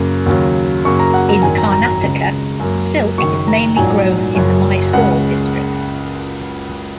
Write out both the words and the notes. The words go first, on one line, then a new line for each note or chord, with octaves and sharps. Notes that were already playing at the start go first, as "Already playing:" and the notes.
In Karnataka, silk is mainly grown in the Mysore district.
Already playing: F#2 C#3 A#3
D#2 C#3 F#3
F#2 C#3 F#3 A#3 C#6
A#5
F#5
A#5
G#1 F#2 D#3 F#3 G#5
A#5
A#5
A#5
C#2 C#3 G#3
F#2 F#3 A#3
F#1 F#2 D#3 C#6
A#5
A#1 G#2 F#3 G#5
F#1 F#2 F#3
C#2 C#3 G#3 F#5